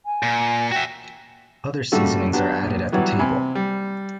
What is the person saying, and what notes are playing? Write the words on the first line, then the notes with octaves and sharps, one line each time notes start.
Other seasonings are added at the table.
G#5
A#2
F#4 E5 G5
A#2 C#3 G3 A3 F#4 A4
F#3 B3 D4 G4
A#1
E3 F#3 G3 B3
C3 G#5 B5
G3